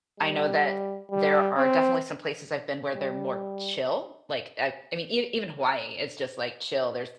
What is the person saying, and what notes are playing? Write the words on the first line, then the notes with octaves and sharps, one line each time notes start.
I know that there are definitely some places I've been where they're more chill, like uh, I mean, even Hawaii, it's just, like, chill, there's
G3
G3
C4
G3